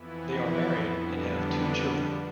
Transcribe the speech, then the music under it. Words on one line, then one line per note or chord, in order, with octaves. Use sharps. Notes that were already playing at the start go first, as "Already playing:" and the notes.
They are married and have two children.
Already playing: F2 E3 B3 E4
F2 D3 G3 B3 D4